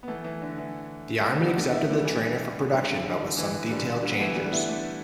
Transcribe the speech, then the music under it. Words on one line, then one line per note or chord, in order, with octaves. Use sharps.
The Army accepted the trainer for production but with some detail changes.
B3
E3 A3
E3
D3
E3
A3
G3 B3
A3 D4
B3 E4
A3 D4
G3
E3
D3 G3
D3
E3
D3 G3
D3 G3
B3
E3 A3
G3 B3
B3 E4
A3 D4